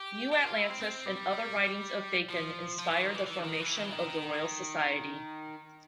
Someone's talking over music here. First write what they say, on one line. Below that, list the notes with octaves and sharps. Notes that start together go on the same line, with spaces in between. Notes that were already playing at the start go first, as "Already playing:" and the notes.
"New Atlantis" and other writings of Bacon inspired the formation of the Royal Society.
Already playing: G4
G4
F4
E4
C4
C4
G3
F3
F3
E3
D#3
E3
E3
D3
D#3
E3
D#3
E3
D#3